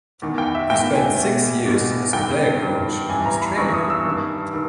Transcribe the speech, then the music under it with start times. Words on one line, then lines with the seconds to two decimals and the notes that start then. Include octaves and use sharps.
He spent six years as a player-coach in Australia.
0.22 E2 D#3
0.38 G5
0.55 E5
0.70 E2 D#3 G5
0.94 G#5
1.18 E2 B2
1.65 E2 B2
2.13 G2 D#3 G5
2.62 G2 D#3
3.09 G2 E3 G#5
3.26 A#5
3.42 B5
3.57 G2 E3 C#6
3.74 D#6
3.90 E6
4.05 G2 D#3
4.53 D#3